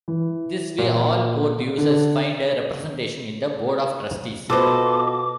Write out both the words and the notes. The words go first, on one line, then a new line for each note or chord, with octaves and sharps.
This way all port users find a representation in the Board of Trustees.
E3
A#2
D3
B2 F4 A4 B4 C5 D#5 D6